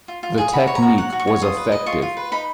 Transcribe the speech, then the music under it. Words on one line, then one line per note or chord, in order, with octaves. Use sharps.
The technique was effective.
F4
F4
G#4
F#4 B5
C#5
A#5
F#4
C#5 F#5
F#4
C#6
C#5
F4 D#6
B4
D#5
F4 C#6
F4
B4
D#4 B5